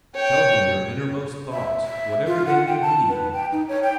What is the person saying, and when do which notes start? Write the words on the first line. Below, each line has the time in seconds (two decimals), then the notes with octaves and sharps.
'Tell him your innermost thoughts, whatever they may be.
0.15 C#5 G5
1.52 E5
1.85 E5
2.27 F4
2.46 F#5
2.67 G5
2.82 A5
3.09 B4
3.33 G5
3.52 D#4
3.69 C#5
3.83 G5